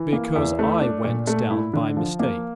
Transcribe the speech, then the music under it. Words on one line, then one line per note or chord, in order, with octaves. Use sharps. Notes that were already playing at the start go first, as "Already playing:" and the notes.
"Because I went down by mistake."
Already playing: E3
A#3
E2
A3
D4
A#2
A3
E4
D3
F3
A#3